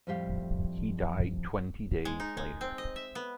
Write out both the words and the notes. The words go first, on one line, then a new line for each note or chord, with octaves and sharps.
He died twenty days later.
F2 A2 F3 G3 G4 F5
G#3
D#4
G#3
C4
D#5
E5
B3